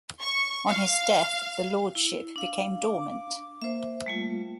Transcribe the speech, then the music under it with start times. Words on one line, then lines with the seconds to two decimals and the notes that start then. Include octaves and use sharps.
On his death the lordship became dormant.
0.22 C#6
0.68 F5
1.95 E4
2.36 D4 F5
2.83 D6
3.62 A#3 C5 E5
4.06 G3 A3 F4